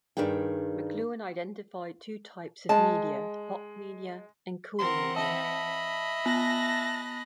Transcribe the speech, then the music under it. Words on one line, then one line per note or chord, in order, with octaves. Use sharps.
McLuhan identified two types of media: "hot" media and "cool" media.
G2 C3 D#3 D4 G#4 G5
G#3 A5
E3 C4 A#4 F#5 C6
D#5 E5 A5 B5
B3 A5 F#6 A#6